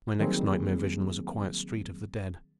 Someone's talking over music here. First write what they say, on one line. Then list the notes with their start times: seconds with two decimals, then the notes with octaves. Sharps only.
My next nightmare vision was a quiet street of the dead.
0.20 D#3 F#3 G3 A#3 C4 G#4